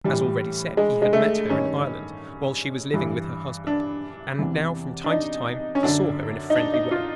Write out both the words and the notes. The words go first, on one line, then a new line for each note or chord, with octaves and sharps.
As already said, he had met her in Ireland while she was living with her husband; and now from time to time he saw her in a friendly way.
A2 E3 G3
G#3
G#3
A3
G2 D#3 C#4
G2 E3
D4
E2 C3 E3
D4
D#4
C#4
F#2 D3 D4
D#4
D4
D#4
F4